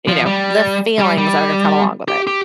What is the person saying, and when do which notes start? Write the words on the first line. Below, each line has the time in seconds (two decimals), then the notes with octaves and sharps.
you know, the feelings that are gonna come along with it.
0.08 F3
0.26 G3
0.99 G3
1.18 G3
2.08 G4
2.27 G4